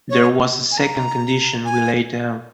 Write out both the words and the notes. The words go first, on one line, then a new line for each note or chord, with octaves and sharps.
There was a second condition we laid down.
C#5
G#5
A#5
G#5